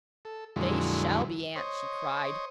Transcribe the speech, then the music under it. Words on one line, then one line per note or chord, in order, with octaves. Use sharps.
"They shall be, aunt!" she cried.
A4
F2 A#2 D3 F#3 G#3 E4
C5 C#5 D#5